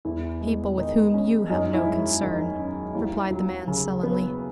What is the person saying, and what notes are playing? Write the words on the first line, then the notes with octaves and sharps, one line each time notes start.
"People with whom you have no concern," replied the man sullenly.
E2 E4
G#3
D#3 D#4
C#4
F#2 D#4
E4
G#3
D#3 D#4
C#4
D#2 E4
F#3
C#3
B3